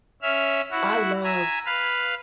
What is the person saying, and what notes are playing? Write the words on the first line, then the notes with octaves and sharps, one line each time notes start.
I love,
C#4 E5 F6
E4 F#4
E5 G#5 A#5
B4 F5